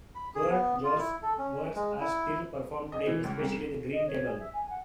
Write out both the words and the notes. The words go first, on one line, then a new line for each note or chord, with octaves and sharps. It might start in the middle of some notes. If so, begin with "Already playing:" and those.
Kurt Jooss works are still performed today, especially "The Green Table".
B5
G#4
B3
F4
E4
A4
C#4
G#3
E4
D#5
E3
C#2
C2
E7
D#5
C#5
G#4
E5
G#5
F#5